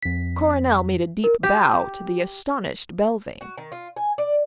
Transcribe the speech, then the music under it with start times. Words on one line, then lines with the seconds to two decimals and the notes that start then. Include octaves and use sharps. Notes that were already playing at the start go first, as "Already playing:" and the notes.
Coronel made a deep bow to the astonished Belvane.
0.03 F2 B6
1.24 A#4
1.43 G4
3.41 F#4
3.58 D#3
3.72 F4
3.97 G#5
4.18 D5